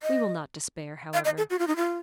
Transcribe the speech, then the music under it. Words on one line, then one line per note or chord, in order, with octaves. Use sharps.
We will not despair, however.
D#5
F5
D#5
A4
F#4
F4
D#4
F4